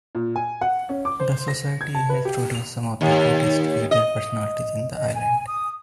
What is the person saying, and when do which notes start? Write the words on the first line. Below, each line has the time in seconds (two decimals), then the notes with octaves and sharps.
The Society has produced some of the greatest theatre personalities in the Island.
0.15 A#2
0.36 G#5
0.61 F#5
0.89 C#4
1.05 D6
1.20 C5
1.48 A#6
1.81 G#6
1.95 A5
2.09 B4
2.25 G4
2.55 F7
3.01 D#2
3.91 D#5
4.96 D#5
5.15 G#5
5.48 D#6